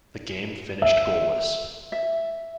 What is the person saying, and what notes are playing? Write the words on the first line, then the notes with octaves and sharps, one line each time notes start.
The game finished goalless.
E5
E5